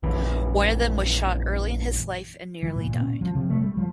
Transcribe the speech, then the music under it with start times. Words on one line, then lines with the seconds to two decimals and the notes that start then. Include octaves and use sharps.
One of them was shot early in his life and nearly died.
0.03 A#1 F#2 E3
2.63 E3
2.76 A#2
2.88 A#2
3.01 C#4
3.21 F3
3.35 C3
3.50 A3
3.61 G3
3.77 F3